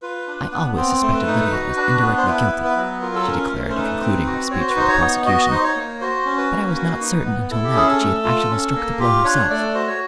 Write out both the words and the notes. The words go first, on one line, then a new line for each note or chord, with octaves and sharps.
"I always suspected Lydia as indirectly guilty," she declared in concluding her speech for the prosecution, "but I was not certain until now that she had actually struck the blow herself."
F4 B4
D4
B3
C4 C5
A3
B4
D#4
F#4
D4
B3
C5
E4 B4
B3
B4
F#3
F4 A#4
A4
C#4 A#4
A3
C5
D#4 B4
C4
F#4
F#4 C#5
C5
B4
D#4 C5
C#5
B3
F#4 D#5
D#4 C5
C#5
A#3
F#4 C5
C#4
B4
A#3
F#4
D#4
B3
E4 A4
G4
C#4 G#4
A4
A3
F4
C#4
A#3
F4 G4
D4 C#5
A3 D5
F#4 C5
C#5